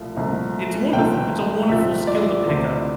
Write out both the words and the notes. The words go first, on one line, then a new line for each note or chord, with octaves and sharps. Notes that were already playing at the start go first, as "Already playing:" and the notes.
It's wonderful. It's a wonderful skill to pick up,
Already playing: C2 A#2 F3 A3
C2 A#2 F3 A3
C2 A#2 F3 A3 G5
C2 A#2 F3 A3 E5
D5
D2 C3 E3 A3 C4